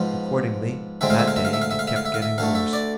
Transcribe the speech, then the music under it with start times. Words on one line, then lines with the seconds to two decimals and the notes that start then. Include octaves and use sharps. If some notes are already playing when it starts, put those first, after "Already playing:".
Accordingly, that day it kept getting worse.
Already playing: G#2 F3 B3 C5
1.01 D2 D3 G#3 C4 E5
1.10 F5
1.19 E5
1.28 F5
1.37 E5
1.45 F5
1.53 E5
1.62 F5
1.71 E5
1.79 F5
1.87 E5
1.96 F5
2.06 E5
2.14 F5
2.22 E5
2.38 D2 D3 A3 F5
2.55 E5
2.73 D5